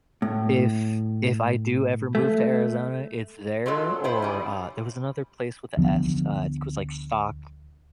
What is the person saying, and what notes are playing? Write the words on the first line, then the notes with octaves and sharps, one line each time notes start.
If if I do ever move to Arizona, it's there or, uh, there was another place with a S, uh, it was, like, Stock
A2
A3
F#3 G#3 F4 A4
G#2 B3 E4 C5
G3 C#4
D2 F3 B3